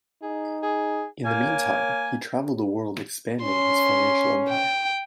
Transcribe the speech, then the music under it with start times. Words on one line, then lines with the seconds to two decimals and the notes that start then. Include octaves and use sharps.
In the meantime he traveled the world expanding his financial empire.
0.22 D#4 G#4
0.62 G#4
1.25 A#3 C#5 G#5
3.44 C#4 C6
4.49 G5